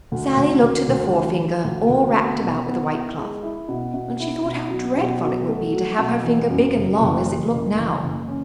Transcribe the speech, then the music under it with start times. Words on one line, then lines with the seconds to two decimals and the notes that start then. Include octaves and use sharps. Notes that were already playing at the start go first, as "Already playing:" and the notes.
Sallie looked at the forefinger all wrapped about with the white cloth, and she thought how dreadful it would be to have her finger big and long as it looked now.
0.12 D2
0.37 D2
0.63 D2
0.89 D2
1.14 E3
1.39 E3
1.64 D2
1.90 D2
2.16 B3
2.41 B2
2.67 B3
2.92 E4
3.18 G#3
3.43 E4
3.68 B2
3.94 B2
4.20 E4
4.45 B2
4.70 F#3
4.97 B2
5.22 F#3
5.48 A3
5.73 F#3
5.98 B2
6.24 E3
6.49 F#2
6.76 F#1
7.01 F#1
7.27 E3
7.52 F#1
7.78 E3
8.03 F#1
8.28 C#4